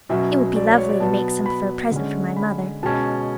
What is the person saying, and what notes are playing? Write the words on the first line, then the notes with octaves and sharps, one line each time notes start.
"It would be lovely to make some for a present for my mother."
B2 F#3 C#4 E5
D5
C#5
C#5
D5
B2 F#3 B3 A5
B5
D3 G#3 C#4
B5
B2 G#3 C#4 A5